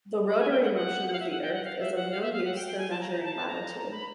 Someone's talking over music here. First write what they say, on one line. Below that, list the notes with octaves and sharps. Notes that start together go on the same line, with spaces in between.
The rotary motion of the earth is of no use for measuring latitude.
B5
G#5
G5
F#5
F#5
F5
E5
F#5
G5
F#5
F5
E5
F#5
F5
E5
F5
F#5
G5
G5
G#5
A5
A#5
A#5
A5
A5
A#5
B5